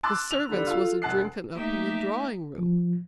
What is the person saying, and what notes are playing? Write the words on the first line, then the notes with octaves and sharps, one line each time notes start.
The servants was a drinkin' up in the drawingroom.
A5 C6 D6 E6 F#6 A6
F7
D3 G3
F4 A4
E1 F#5 A5 F#6 C7
A3 A#3 D#4 G4 E5
F3